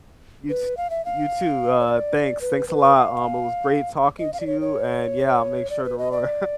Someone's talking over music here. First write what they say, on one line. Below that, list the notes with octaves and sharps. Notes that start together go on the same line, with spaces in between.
you t you too, uh, thanks thanks a lot, um, it was great talking to you and yeah, I'll make sure to roar.
B4
F5
E5
F5
C#5
D5
B4
B4
F5
D#5
F5
D5
C#5
C#5
D5
B4
D#5
D5